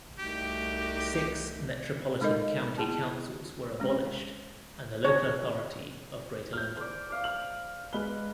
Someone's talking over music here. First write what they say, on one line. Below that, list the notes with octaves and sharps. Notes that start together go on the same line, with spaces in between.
Six metropolitan county councils were abolished and the local authority of Greater London.
C2 A3 D#4 F#4 G4
G#3 D#4 A4 A#4 D#5
B3 E4 G#4 A5
G#3 C#4
C#5
F6 G6
C5 D5
D5 F5
F6 F#7
G#3 B4 G7